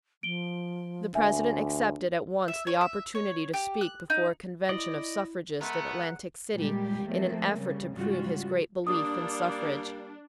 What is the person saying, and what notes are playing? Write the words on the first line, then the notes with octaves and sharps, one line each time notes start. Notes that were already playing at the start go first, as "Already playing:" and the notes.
The President accepted at once the opportunity to speak before a convention of suffragists at Atlantic City in an effort to prove his great belief in suffrage.
F3 D7 G7
D2 D4 E5 G#5
E5
C#5
E5
C#5
G4
F#6
D#4
E4 D5 D#5
G#3 A3 B3 A#4 F#5
A#2 G3 G#3 G4
F3 A3 A#3 C4
C#3 G3
G#2 C#3 G3 F4 F#4
G3 A#3 D4 D#6